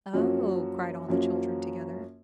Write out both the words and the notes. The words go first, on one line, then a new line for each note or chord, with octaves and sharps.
"Oh!" cried all the children together.
F#2 F3 A#3 C#4 F#4
F#2 F3 A#3 C#4 F#4